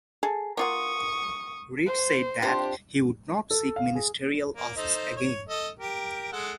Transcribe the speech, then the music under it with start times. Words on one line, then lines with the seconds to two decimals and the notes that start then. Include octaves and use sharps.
Reed said that he would not seek Ministerial Office again.
0.23 G#4 A4
0.57 A#3 F4 F#5 C#6 D#6
1.86 C5
2.42 C3 D4 F4 G4 C5
3.51 A4
3.76 F5
3.95 G#4
4.57 A#3
4.76 D#4 A4 C5
5.16 C#5
5.49 A4 D#5
5.79 G4 A#4
6.33 G#3 A4 F#5